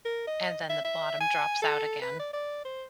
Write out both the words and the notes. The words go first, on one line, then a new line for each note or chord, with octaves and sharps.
and then the bottom drops out again.
A#4
D#5
E5
E5
G#5
A4
B4
D5
D5
C5